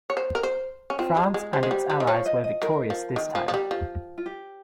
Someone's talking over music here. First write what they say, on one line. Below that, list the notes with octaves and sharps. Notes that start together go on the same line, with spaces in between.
France and its allies were victorious this time.
C#5
C5
A#4
C5
C#4
C4 F4
G#3
G#3
G3 C5
G#3
G3
G3
D#3
F3 C#5
D#5
D#5
D#3 A#4
F3
D#3
F3
F3
G3
F3
F4
G4